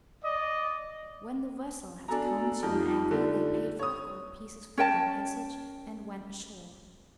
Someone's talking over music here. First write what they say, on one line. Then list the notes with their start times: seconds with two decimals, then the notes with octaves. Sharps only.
When the vessel had come to an anchor they paid five gold pieces for their passage and went ashore.
0.24 D5 D#5
2.08 B3 D4 F#4 A4 G#5 A#5
2.63 F2 D#4 F4 G4
3.11 D3 A3
3.79 C#5 D#6
4.78 C#4 A#4 G5 A5